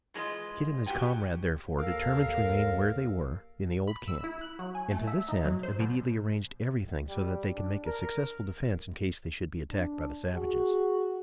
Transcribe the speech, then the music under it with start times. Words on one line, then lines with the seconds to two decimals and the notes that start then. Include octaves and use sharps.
Kit and his comrade, therefore, determined to remain where they were, in the old camp; and, to this end, immediately arranged everything so that they could make a successful defence in case they should be attacked by the savages.
0.14 E3 G#3 C#4 F4 D#5
0.86 F#4 G4 D#5 G5 G#5
1.77 D#2 A4 A#4 F5
3.88 B5
4.08 E6
4.24 E4
4.41 F#6
4.59 F#3
4.75 G#5
4.91 A3
5.07 E5
5.29 D#4
5.45 F#3
5.63 C5
5.80 B2
7.08 G3
7.54 D4
7.85 A#4
9.71 D4
10.35 F#4 G#4